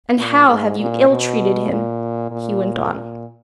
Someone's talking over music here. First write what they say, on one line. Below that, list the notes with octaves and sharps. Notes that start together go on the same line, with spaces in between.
'And how have you ill-treated him?' he went on.
A#2
G#2
A#2
B2
A#2
A#2
A#2